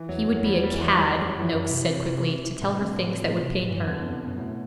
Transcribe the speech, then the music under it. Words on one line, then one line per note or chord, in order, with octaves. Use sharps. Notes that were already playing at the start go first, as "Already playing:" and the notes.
'He would be a cad,' Noakes said quickly, 'to tell her things that would pain her.'
Already playing: E3
E2 F#3
F#2
F#3
E2 G3
G3
E3
F#3
G3
F#2 F#3
F#3
F#2 E3
F#2
C3
B2
C3
A2 D3
C3
D3
C3
B2
A2
G2 E3
E2 D3
F#2 B2
C3
F#2 B2
A2